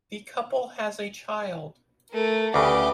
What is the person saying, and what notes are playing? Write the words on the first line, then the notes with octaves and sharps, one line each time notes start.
The couple has a child.
A3 A#4
D2 C#3 G4 B4 D6